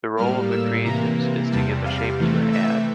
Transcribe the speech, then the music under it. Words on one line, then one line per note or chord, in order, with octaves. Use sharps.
The role of the creatives is to give a shape to an ad.
A2 G3 A#3 F6
E6
C3 E3 A#3 A#5
E2 C3 G3 A5
F5
C3 E3 A3
E5